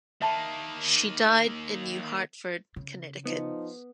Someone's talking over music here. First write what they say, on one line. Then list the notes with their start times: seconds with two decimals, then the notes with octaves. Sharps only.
She died in New Hartford, Connecticut.
0.22 D#3 A#3 E5 A5 B5
2.76 C#3
3.25 F3 B3 D#4